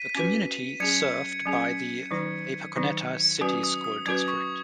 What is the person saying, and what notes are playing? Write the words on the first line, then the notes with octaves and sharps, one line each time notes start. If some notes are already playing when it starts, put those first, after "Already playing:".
The community is served by the Wapakoneta City School District.
Already playing: B6 D#7
C#4 F#4 B4
F#3 C#4 G#4 G#6 C#7
F#3 C#4 G#4
D#3 F#3 D#4
D#3 F#3 D#4
F#3 C#4 F#4 B4 D#6
D#6
D#6
F#3 C#4 F#4 B4 G#6
C#6